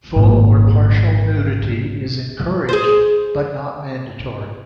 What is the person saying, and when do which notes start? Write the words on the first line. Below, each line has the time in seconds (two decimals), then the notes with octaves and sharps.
Full or partial nudity is encouraged, but not mandatory.
0.16 G#1 A#2
2.69 G#4 C5